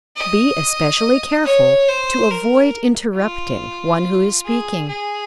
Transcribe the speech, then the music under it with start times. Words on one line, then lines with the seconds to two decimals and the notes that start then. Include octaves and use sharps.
Be especially careful to avoid interrupting one who is speaking.
0.17 D#5
1.45 C#5
1.88 C5
2.31 A#4
3.17 F4
4.46 G#4
4.88 G#4